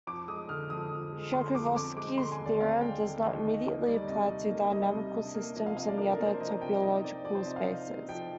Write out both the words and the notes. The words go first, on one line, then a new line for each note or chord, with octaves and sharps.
Sharkovskii's theorem does not immediately apply to dynamical systems on other topological spaces.
F2 D6
G#3 D#6
D3 F6
F2 D#6
F2
G#3
D3 C6
F2 D6
C4 D6
G#3 D6
D3 C6
G#5
D#2
D5
C4 F5
G#3 G5
D3
D#2 D#5
D#4
A#3
G3 D5
C3 D#5
D#4
A#3
G3 D#5
C3
D4
A#3
F3 D#5
F5
C3 F5
D5
D4 A#4
A#4
A#3
C5
F3 D#5
C3 G5
D#4 D#5
C4 D5
F3 D5
C5
C3 D#5
F5
D#4
C4
F3 G5